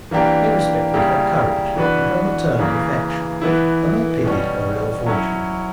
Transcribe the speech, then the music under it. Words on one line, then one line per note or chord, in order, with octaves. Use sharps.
They respected her courage and her maternal affection; and they pitied her ill fortune.
E3 A#3 D4 G4 A#4
C#3 G3 A#3 E4 G4
E3 B3 D4 F#4 B4
C#3 E3 A#3
E3 B3 E4
B2 G3 C#4
F#3 C#4 E4